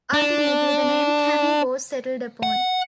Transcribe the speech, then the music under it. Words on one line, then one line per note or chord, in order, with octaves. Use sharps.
Ultimately the name 'Camin' was settled upon.
D4
F#5